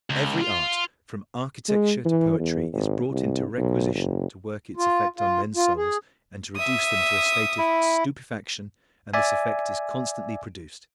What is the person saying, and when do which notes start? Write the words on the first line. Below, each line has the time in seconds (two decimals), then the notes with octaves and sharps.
Every art, from architecture to poetry, is brought into requisition to work its effect on men's souls and to reduce them to a state of stupefaction, and this effect is constantly produced.
0.10 C#2
0.41 F4
1.69 G#3
2.05 E3
2.40 E2
2.73 G#1
3.11 C2
3.58 B1
3.95 F#1
4.77 F4
5.17 F4
5.56 F4
5.77 G#4
6.56 E5 D#6
7.58 E4
9.14 D5 E5 G#5